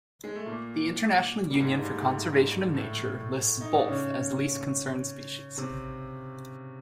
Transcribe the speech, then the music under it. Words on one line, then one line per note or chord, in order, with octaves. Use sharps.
The International Union for Conservation of Nature lists both as least-concern species.
G#3
A3
A#2 A#3
G3
G#2 G#3
G2 G3
A3
G#2 G#3
A2 A3
D#4
D4
C#3 C#4
C3 C4